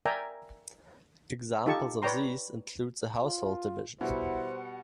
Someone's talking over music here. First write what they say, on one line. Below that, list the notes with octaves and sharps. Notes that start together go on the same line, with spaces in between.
Examples of these include the Household Division.
A#4 D5 E5 G5 G#5 A#5
D#4 F4 G4 A4 A5 C#6
B4 C#5 D5 G5 A#5 C6
F4
B2 G3 E4 C5 F#5